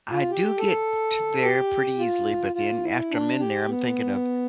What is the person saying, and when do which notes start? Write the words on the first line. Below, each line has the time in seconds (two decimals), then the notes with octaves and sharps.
I do get to there pretty easily, but then after I'm in there, I'm thinking of
0.11 F4
0.30 G4
0.58 A4
1.42 G4
1.99 F4
2.55 F4
2.84 E4
3.11 D4
3.40 G4
3.68 B3